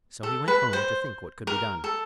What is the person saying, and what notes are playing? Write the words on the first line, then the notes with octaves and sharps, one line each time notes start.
So he went home to think what could be done.
A4
B4
C5
A#4
A4